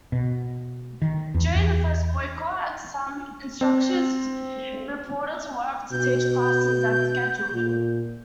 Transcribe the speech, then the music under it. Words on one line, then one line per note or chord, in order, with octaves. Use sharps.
During the first boycott, some instructors reported to work to teach classes as scheduled.
B2
D#3
E2
E2
C4
B2 G6
A#2